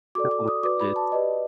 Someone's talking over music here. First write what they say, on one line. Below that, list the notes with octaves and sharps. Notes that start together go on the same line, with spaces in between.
Oh my goodness.
F#4 A4 D5 D6
D6
D#6
F#4 B4 D5 D6
B5
A5
G4 B4 D5 D#5